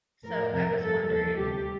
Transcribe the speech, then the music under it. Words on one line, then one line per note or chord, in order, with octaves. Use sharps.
So, I was wondering
A2 F3 A#4
F2 C3 F3 A#4
G2 F3 A4
D#2 D#3 G3 A4
D2 C3 G3 G4